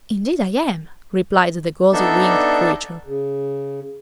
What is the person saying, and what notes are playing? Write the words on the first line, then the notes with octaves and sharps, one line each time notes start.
"Indeed I am," replied the gauzy-winged creature.
B3 D4 D#4 A4 D5 E5
C#3